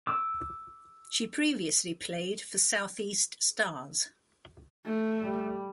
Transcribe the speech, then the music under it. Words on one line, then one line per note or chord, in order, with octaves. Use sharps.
She previously played for South East Stars.
D6 E6
A3
G3